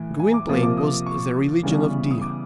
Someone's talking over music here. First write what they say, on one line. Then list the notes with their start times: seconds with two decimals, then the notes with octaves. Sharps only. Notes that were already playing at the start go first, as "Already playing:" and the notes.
Gwynplaine was the religion of Dea.
Already playing: A2 E3
0.20 G#5
0.34 D6
0.49 C3 F3 A#3 D#6
0.63 D6
0.77 D#6
1.06 C#6
1.63 C#3 E3 G3 B3
2.11 D#6
2.21 D6